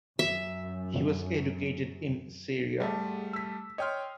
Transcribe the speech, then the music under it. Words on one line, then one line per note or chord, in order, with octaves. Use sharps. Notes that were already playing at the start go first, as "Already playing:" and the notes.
He was educated in Syria.
F#2 E5
G#2 G3 A3 A5
E6 B6
C#5 D#5 G5 C6 F6